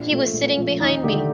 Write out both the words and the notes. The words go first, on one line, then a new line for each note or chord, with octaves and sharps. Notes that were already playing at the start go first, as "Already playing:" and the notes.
He was sitting behind me.
Already playing: A#1 D4
A#2 F3 A3
A#1
A#2 F3 A3
D#2 D#4
D3 A3 G4